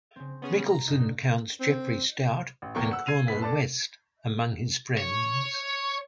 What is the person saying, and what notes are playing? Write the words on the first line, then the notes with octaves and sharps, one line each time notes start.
Michalson counts Jeffrey Stout and Cornel West among his friends.
C#3 C4
B3 C#4 G#4
A#5
G2 D#4
C4
A1
E2 A#3 G5 C#6
F#5 E6
G#6 C7 D#7 F7
F#1 B3 B6
A4 D5 A5
C#5